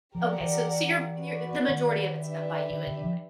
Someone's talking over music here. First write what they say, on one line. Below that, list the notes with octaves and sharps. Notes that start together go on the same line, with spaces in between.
Okay, so so you're you're the majority of it's done by you anyway.
F3 G4 A#4 D5 F#5
E3
F#4 B4 D5
D#3
D4 G4 B4 E5
D#3
D3
F3